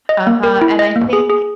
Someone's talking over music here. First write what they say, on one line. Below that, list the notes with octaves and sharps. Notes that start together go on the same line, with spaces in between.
Uh-huh, and I think
D#5
A#3
A#4
E4
D#5
A#3
G#4
G#4